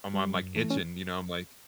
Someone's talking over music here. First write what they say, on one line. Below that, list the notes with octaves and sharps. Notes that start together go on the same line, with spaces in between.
I'm I'm like itching, you know? I'm like
G3
F#2
E3 A3
C#4